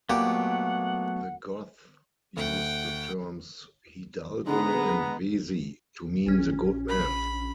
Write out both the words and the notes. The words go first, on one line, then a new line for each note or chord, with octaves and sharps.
The Goths used the terms "hidalgo" and "Vesi" to mean the "good men".
A#2 F#3 A3 B3 G4 F#5
D2 F#5 G5
D3 G#3 B3 G#4 A#5
A#1 C#4
B5